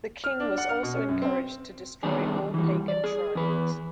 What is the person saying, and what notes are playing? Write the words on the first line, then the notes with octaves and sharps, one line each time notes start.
The king was also encouraged to destroy all pagan shrines.
F6
D4
F#5
F6
B2
C#4
F#2
C4
D#3 G3 B3 D4 G#4
E3 G3
D5
G#4
E2 B4